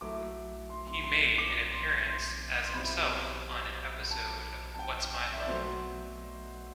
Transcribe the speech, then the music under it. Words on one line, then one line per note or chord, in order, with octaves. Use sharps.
He made an appearance as himself on an episode of What's My Line?
F#3 A3 E4 D6
C6
C6
C6
C6
D6
C6
C6
C6
B2 G3 C4 E4 B5
A5
A5
G5
E5
D5
B2 F#3 A3 C5